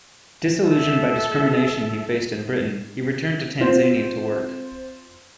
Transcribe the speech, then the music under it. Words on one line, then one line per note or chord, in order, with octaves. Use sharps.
Disillusioned by discrimination he faced in Britain, he returned to Tanzania to work.
A4 E5
C4 F4 C5